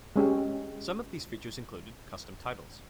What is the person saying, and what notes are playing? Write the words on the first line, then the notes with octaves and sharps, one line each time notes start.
Some of these features included: Custom titles.
G#3 C#4 G4